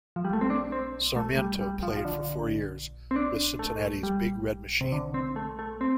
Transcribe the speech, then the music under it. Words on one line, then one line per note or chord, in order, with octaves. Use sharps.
Sarmiento played for four years with Cincinnati's "Big Red Machine".
F3
G3
A3
C4
D4
C4
A3
G3
G3
F3
F3
D3
C4
D4
A3
G3
C3
D3
C4
A3
A3
C4